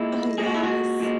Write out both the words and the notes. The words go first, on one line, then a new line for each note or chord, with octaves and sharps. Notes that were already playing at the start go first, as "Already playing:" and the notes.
Oh, yes.
Already playing: A#2 G#3 E4
A#2 G#3 G#4
F#4
E4
F#4
A#2 G#3